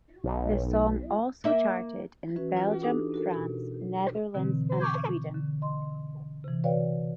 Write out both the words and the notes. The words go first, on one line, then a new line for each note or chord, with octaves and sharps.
The song also charted in Belgium, France, Netherlands and Sweden.
B1
A#3 E5
E3 C#4 F#4 B4
F4
D4 D#4 G4 A4
F#4 A4 A#4
B2
B2 D3 E3 C4
C#6 D6 G6 G#6
D3
D#5 C6
C3 E3
F#4 B4 C#5 D5 F5 G5